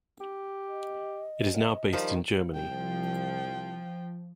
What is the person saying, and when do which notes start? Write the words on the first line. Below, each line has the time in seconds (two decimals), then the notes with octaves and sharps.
It is now based in Germany.
0.21 G4
0.68 D#5
1.93 D#3 F3 G3 C5
2.55 C2 F3 G5